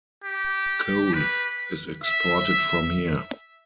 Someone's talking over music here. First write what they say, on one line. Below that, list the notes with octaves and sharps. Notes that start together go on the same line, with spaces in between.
Coal is exported from here.
G4
B4
E5